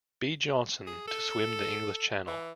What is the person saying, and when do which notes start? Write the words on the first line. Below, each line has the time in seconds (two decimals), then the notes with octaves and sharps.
B. Johnson to swim the English Channel.
0.87 G#4
1.08 A4
2.28 E3